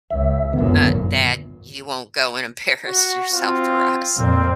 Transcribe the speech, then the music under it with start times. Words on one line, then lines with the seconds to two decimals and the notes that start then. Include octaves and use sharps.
uh, that you won't go and embarrass yourself for us
0.10 C#2 E5
0.53 G#1 F#2 A#2 D3 B3
2.87 F#4
3.33 C4 F4
4.18 F2 A#2 C4